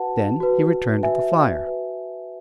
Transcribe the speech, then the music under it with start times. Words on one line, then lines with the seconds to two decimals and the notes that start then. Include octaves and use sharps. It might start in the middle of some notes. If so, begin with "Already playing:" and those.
Then he returned to the flier.
Already playing: F#4 B4 F#5 A5
0.40 F#4 B4
1.03 F#4 B4 E5 G#5
1.67 F#4 B4